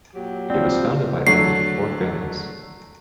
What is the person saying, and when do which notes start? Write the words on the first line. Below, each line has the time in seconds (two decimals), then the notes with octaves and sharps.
It was founded by only four families.
0.15 A#2 F#3 G4
0.50 F3 G3 C4
1.27 D3 F#3 A3 C7